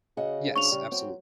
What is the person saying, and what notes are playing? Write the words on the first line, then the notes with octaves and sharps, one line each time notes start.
Yes, absolute.
C#3 F#4 D#5 F#5
C4 D4 F#4 C#6 F7
C#3 G3
F#3 C4